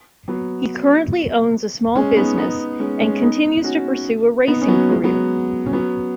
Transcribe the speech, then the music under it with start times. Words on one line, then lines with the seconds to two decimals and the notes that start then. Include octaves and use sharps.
He currently owns a small business and continues to pursue a racing career.
0.28 F#3 B3
1.96 G#3 C#4
2.17 B3 D#4
2.38 B3 D#4
2.79 G#3 C#4
3.01 G#3 C#4
3.22 B3 D#4
3.64 C#4 F#4
4.47 B3 D#4
4.62 C#4
4.68 F#3 B3
4.90 G#3
5.04 F#3 B3
5.66 C#4
5.73 F#3 B3